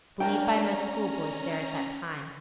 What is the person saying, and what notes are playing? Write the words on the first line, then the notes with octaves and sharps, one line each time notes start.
Believed by most schoolboys there at that time.
A#3 C#4 D4 G5 A5 A#5